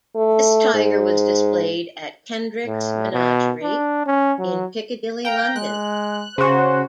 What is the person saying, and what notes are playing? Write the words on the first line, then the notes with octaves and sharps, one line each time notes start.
This tiger was displayed at Kendrick's menagerie in Piccadilly, London.
A3
G#2
A2
B2
D4
C#4
F#3
F5 G5 A#5
G#3 F#6
C#3 F#4 C5